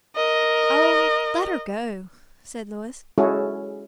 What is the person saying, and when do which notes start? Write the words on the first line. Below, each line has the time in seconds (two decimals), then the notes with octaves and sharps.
"Oh, let her go!" said Louis.
0.16 A#4 D#5
3.18 G#3 C#4 E4 F#4 G#4 A4